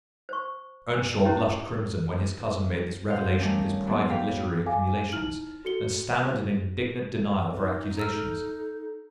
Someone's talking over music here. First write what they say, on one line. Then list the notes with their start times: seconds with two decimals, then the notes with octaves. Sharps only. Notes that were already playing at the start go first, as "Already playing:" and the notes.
Earnshaw blushed crimson when his cousin made this revelation of his private literary accumulations, and stammered an indignant denial of her accusations.
0.29 C5 C#6
0.93 G#5
1.25 C#4 E4 G4 C5 A#5
3.10 C5 F5 F#5 F6
3.39 D#3 G3 A3 C#4 A#4
3.87 F#3 A#3 B3 D4
4.09 F5 G5 B5
4.66 F5 G#5 D6
5.12 D#4 E4 F6 F#7
5.65 F#4 A4 C#7 G7
7.56 D#4
7.97 A4 A#5 E6 F6